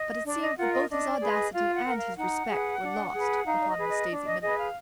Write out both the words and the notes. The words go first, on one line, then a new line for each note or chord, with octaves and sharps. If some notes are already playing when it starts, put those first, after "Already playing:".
But it seemed that both his audacity and his respect were lost upon Miss Daisy Miller.
Already playing: D#5
D4 D5
D#5
F4 A#4 F#5
D#5
D4 D#5
D5
G#4 B4
D#5
F4 F5
F#5
A#4
F5
D#4 F#5
G#4 B4
D4
G#4 B4
D#4 F5
D5
D#5
G#4 B4
D#5
D4
D#5
G#4 B4 D#5
F5